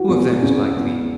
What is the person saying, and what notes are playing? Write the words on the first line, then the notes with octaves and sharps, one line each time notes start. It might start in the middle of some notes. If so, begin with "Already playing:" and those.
Who of them is like thee?
Already playing: E3 F#4
E2
C#3
E2